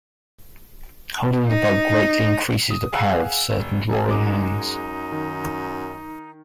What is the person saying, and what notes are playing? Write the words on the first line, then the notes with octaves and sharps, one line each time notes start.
Holding the bug greatly increases the power of certain drawing hands.
D#4
D#6
G#4 F5 F#5 G#5 E6 F#6
F1
F#2 G#3 D#4 D6
D#3